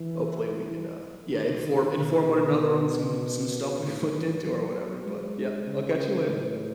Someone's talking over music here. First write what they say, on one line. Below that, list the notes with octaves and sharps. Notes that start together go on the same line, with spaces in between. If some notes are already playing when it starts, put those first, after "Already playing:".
Hopefully, we can, uh, yeah, inform inform one another on some some stuff we've looked into or whatever. But, yep, I'll catch you later.
Already playing: E3
D#3
B2
A2
E3
F#3
G#3
C#3
A2